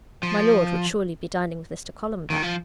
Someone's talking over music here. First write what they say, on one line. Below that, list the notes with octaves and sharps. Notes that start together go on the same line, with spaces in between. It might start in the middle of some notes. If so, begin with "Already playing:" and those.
My lord would surely be dining with Mr. Columbell.
F3
D#3
F3